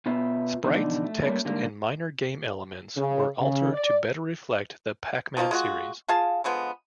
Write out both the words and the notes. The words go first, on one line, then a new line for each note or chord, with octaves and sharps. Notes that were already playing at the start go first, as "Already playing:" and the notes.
Sprites, text, and minor game elements were altered to better reflect the Pac-Man series.
B2 B3 F4 B4 E5
B2 D3 E3 F3 D4 D#4
A3
G3 A3 A#3 C#4 E4
G#2 D3 G3 A#3
C#3
C#3
D5
D#3 F3 A#3 F4
G#3 F4 F#4
F4 G#4 F5 A5
D3 F3 G#3 B3